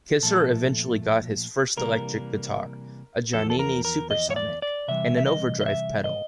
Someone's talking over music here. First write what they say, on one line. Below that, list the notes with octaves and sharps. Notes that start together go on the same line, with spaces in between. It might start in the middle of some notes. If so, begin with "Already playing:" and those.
Kisser eventually got his first electric guitar, a Giannini-Supersonic, and an overdrive pedal.
A#2 F3 A3 A4
C3 E3 G3 A#3 A#4
E2 C3 F3 A4
A4
A#4
A#4
D#5
C#5
D5
D5
C3 E3 G3 E5
E5
D#5
D#5
E5
D#5